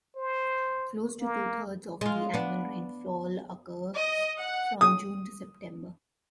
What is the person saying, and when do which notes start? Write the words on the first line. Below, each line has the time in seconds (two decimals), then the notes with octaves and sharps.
Close to two-thirds of the annual rainfall occurs from June to September.
0.16 C5
1.21 A#3
2.01 G#3 F4
2.34 B3 D4
3.96 D#5
4.38 F#5
4.81 D#6